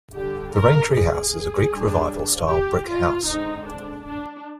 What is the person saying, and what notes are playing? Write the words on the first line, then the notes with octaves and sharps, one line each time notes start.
The Raintree House is a Greek Revival style brick house.
D3 G3 D4 G4
A#4
G#4
G3 D4
G4
F4
D3 G#3 C4 D#4
D4
D4